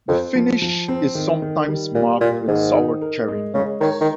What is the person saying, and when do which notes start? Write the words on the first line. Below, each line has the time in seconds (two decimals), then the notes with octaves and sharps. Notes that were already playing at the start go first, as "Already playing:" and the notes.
The finish is sometimes marked with sour-cherry notes.
0.09 F2 C4
0.35 F3
0.62 F3
0.88 C4
1.15 D#3
1.42 D#3
1.68 G3
1.95 A#2 G3
2.21 A#2 A#3
2.47 G#2 D#3
2.75 D#4
3.01 A#4
3.28 G#3
3.54 C#3 G#3
3.81 D#3 C#5
4.01 D#3